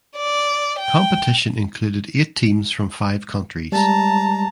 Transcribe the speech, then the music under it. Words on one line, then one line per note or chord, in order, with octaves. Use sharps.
Competition included eight teams from five countries.
D5
G5
G3 G#3 A5 A#5